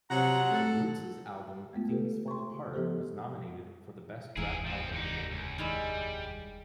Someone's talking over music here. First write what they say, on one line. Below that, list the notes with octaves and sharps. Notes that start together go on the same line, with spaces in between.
The Roots' album "Things Fall Apart" was nominated for the Best Rap Album award.
C3 F3 F#3 F#5 A#5
A3 A4
G#3 A3 B3 F4
F4 G4 A4 B4
C6 C#6
C#3
F3 B3 G4 A4 C5
F1 D#2 G#2 E3 G#4 A#4
F3 C4
D3 D#4
C#2
D#3 G3 G#3 E4